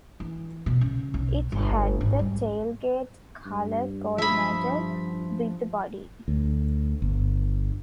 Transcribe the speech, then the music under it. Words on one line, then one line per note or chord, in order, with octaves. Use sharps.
It had the tailgate colour coordinated with the body.
E3
B2
C#3
B1
G1
G#1
G3
G2
F3 E5 B5 D#6
D2
G1